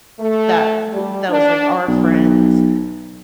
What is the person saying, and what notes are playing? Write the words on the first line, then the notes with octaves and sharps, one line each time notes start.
that b that was, like, our friends.
A3
G3
D4
B1